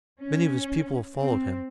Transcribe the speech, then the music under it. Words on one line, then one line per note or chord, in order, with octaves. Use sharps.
Many of his people have followed him.
C#4
C4